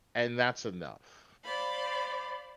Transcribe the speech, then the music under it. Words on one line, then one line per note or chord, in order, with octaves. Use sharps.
and that's enough.
C5 D5 F5 B5